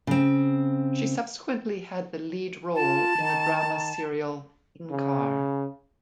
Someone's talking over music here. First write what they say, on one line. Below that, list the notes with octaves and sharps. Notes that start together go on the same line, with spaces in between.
She subsequently had the lead role in the drama serial Inkaar.
C#3 C4
F4 A5
D#3
C#3